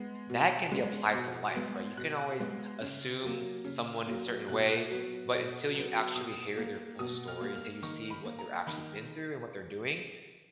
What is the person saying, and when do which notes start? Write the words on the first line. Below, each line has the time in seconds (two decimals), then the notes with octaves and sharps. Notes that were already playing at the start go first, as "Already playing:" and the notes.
that can be applied to life, right? You can always assume someone is a certain way, but until you actually hear their full story, until you see what they're actually been through and what they're doing,
Already playing: G#3 B3
0.30 B2
0.72 G#3 B3
1.14 B2
1.55 G#3 B3
1.97 B2 F#6
2.39 G#3 B3
2.81 C#3
3.22 F#3 A#3
3.65 C#3
4.07 F#3 A#3
4.48 B2 F#6
4.91 F#3 B3
5.32 B2
5.74 F#3 B3
6.16 B2 D#6
6.57 A#3
6.99 B2 D#6
7.28 F6
7.41 A#3
7.56 F6
7.82 D#3 C#6
8.10 B5
8.25 A#3
8.39 A#5
8.67 D#3 B5